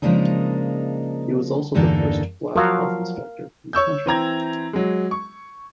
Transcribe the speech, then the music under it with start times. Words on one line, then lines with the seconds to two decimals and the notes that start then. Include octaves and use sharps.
He was also the first black health inspector in the country.
0.02 C#3 F3 G#3 A#3 D4 D#4
1.75 E2 G2 D3 A#3 D#4 A4
2.56 F3 F#3 F#4 A#4 F5
3.73 C#5 C#6 E6 G6
4.06 E3 C4 A#5 G#6
4.73 F#3 G#3
5.11 C#6